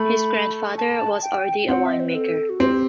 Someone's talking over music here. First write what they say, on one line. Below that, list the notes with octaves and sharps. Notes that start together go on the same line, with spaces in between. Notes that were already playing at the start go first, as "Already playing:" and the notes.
His grandfather was already a winemaker.
Already playing: A3 B5
A5
G5
C4 F#5
E5
D#5
C5
B4
A4
F#4
C4 G4